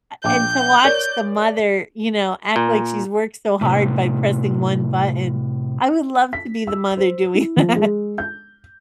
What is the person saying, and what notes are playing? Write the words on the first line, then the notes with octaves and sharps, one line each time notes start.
a and to watch the mother, you know, act like she's worked so hard by pressing one button. I would love to be the mother doing that.
A#1 G5 D6 G6
A#4 C#5 D5
A#2
A2 C3
B6
E6
C5
E4
F3
G#3
G6